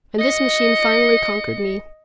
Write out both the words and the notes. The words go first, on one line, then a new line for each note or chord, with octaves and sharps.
And this machine finally conquered me.
D#5 C#7